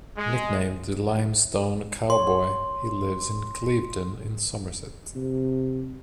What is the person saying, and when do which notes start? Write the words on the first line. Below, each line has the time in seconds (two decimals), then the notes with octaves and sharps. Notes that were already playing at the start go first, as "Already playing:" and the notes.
Nicknamed The Limestone Cowboy, he lives in Clevedon in Somerset.
0.17 G#3
2.10 C#5 C6
5.16 C3